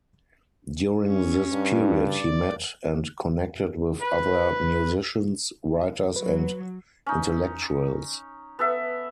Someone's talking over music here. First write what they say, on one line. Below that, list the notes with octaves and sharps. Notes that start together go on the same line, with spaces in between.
During this period, he met and connected with other musicians, writers and intellectuals.
C#4
G2
D5
B4
F#3 B4
C#4 D#4
B3 A4 E5